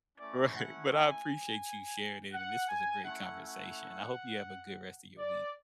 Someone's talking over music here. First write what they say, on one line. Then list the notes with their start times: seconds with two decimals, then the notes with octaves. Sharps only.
Right, but I appreciate you sharing it, and this was a great conversation. I hope you have a good rest of your week.
0.18 A3 C#4 E4 D5
0.54 F#5
0.90 G#5
2.33 F#5
2.68 G#5
3.04 A3 C#4 E4 F#5
3.40 F#5
5.18 D5